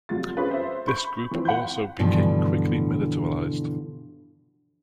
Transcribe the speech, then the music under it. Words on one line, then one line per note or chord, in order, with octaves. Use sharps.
This group also became quickly militarized.
F1 F#3 F4 A6
C#4 F4 G#4 B4 C5
C5 E5
B5 C#6 G6
E3 F3 C4
F#5 B5 C6 G6
G2 B2 D3 E3 F3